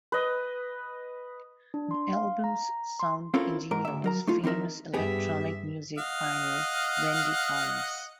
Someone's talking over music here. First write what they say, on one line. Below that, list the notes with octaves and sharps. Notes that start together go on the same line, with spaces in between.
The album's sound engineer was famous electronic music pioneer Wendy Carlos.
B4 D#5
D4
C6
F5
A#5
C6
C4 C#4 E4 F4 A4 A#4
G#2 A#4
D2 E5
F#3 A#4 A#5
A3 D#4 F4
E3 C4 D#4 A#4 E5
G2 B3 G4 G#4 E5
D#5 F5 F#5